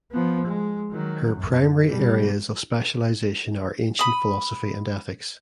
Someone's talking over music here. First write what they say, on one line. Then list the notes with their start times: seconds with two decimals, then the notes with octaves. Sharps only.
Her primary areas of specialization are ancient philosophy and ethics.
0.11 F3 B3
0.45 G#3
0.91 D#3 F#3
1.34 F#2
1.88 B2 G3
3.99 B5 D#6